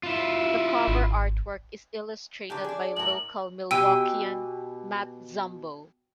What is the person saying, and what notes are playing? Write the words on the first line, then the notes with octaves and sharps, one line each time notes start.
The cover artwork is illustrated by local Milwaukeean Matt Zumbo.
E4 F4
G#1
D3 F#3 G4
D4 G#4
A2 A#4 F#7
B2 G4 G5 G#5 E6 D#7